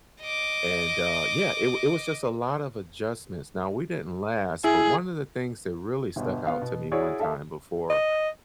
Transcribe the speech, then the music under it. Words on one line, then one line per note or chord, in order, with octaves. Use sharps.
and, uh, yeah, it w it was just a lot of adjustments. Now, we didn't last, but one of the things that really stuck out to me one time before
D#5 D6
E4 G#4
G1 B2
B3 F5
B2
E4 F#4 G#4 C#5 D5
A4 E5 F5
D#5